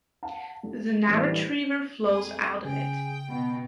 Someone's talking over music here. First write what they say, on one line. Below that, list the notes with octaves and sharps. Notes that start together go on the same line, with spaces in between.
The Narach River flows out of it.
F5 F#5 A5
F1
C2 A2 E3 F#3 G3 C4
F2 G#4 D#6
C#3 G#4 G5
B2 B3